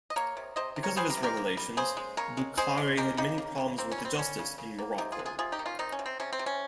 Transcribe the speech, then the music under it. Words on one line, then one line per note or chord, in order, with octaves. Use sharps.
Because of his revelations, Boukhari had many problems with the justice in Morocco.
D#5
A#3 A#4 C#5
C3
C3 C5 D#5
C3
A#4 C#5
G3 G#4 C5
G4 A#4
C3
G4 A#4
A#3
G3
C#3 G#4 C5
G#3
C#3 A#4 C#5
G#3
G#3 G#4 C5
G#3
G#3 G4 A#4
C#3 D#4 G4
A#3
C#3
A#3 C4
C#4
G3
C4
G3 C#4
C#3
C#3
A#3
C3 D#4 G4
F4 G#4
G#3
F4 G#4
C3 F4 G#4
D#4 G4
D#3
C#4 F4
D#3 C4 D#4
C#4
C3
C4
C3 C#4
C4
C3
C#4